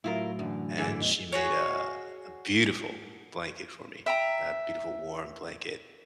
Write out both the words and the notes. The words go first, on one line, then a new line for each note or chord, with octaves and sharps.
and she made a a beautiful blanket for me, a beautiful warm blanket,
A2 F#3 E4 F4 A#4
F#2 D3 E3
G#2 D3 E3 G#4
E2 D#3
F#4 G#4 C#5
E5 G5 G#5 A#5